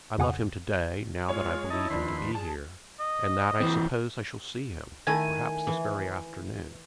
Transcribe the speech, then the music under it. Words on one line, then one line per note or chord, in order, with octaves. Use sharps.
I love him to-day, now that I believe him to be here, and that I suppose I shall see him, perhaps this very afternoon.
F2 C#3 F#5 G#5 D#6
G#3 F4 C#5
D#4 E4 D#5 A5
D#2 F3 D4 B4 C6
G#4 A5
D#5
E3 C4
D#3 A3 E4 G#5
E3